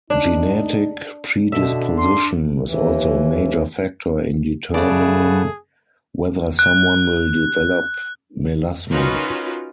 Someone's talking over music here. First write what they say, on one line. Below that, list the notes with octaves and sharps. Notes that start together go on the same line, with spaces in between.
Genetic predisposition is also a major factor in determining whether someone will develop melasma.
D4 D#4
B2 D3 E5
D4 C6
D#2 E3
C#3 A3 G#4 B4 D5 F#5 A5
F#6
C#4 D#4 F4 F#4 A#4 B4